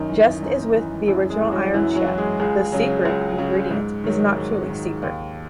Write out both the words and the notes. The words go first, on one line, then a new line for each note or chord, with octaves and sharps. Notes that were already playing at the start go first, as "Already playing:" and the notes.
Just as with the original "Iron Chef", the "secret" ingredient is not truly secret.
Already playing: F#2 D#3 D#4
E3
F#2
E3
F#2 E3 E4
G#3 G#4
E3
F#3 F#4
F#2 E3 E4
F#3 F#4
E3
G#3 G#4
C#2 G#3 G#4
C#3 F#3
C#2
C#3 F#3
G#2
D#3 F#3
G#2
D#3 F#3
D#2